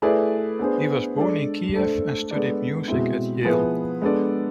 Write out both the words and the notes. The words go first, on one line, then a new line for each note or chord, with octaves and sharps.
He was born in Kiev, and studied music at Yale.
A3 E4 G#4 B4 D5
B3 D4 G#4 C5
G#3 D4 A4 D5
A3 D4 A4 C5
G#3 B3 D4 A4 D5
B2 G#3 C4 E4
F3 B3 E4 G#4 B4
G#3 B3 D4 A4 D5